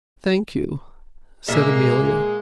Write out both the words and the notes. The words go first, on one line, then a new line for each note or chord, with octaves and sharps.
"Thank you," said Amelia.
A#2 G#3 A#3 E5